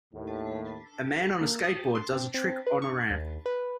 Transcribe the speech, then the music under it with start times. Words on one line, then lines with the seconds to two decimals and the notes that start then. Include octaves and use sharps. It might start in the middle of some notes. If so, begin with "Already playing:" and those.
A man on a skateboard does a trick on a ramp.
0.13 D#2 A2
1.41 A#3
1.64 D#6
1.95 C6
2.13 C4
2.34 C4
2.67 B4
2.82 C#6
3.10 D#2
3.46 B4